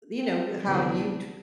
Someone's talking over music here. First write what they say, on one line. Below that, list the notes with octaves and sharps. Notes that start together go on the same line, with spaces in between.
you know, how you tr
C4
D2 C3 E3 B3 D4 F#4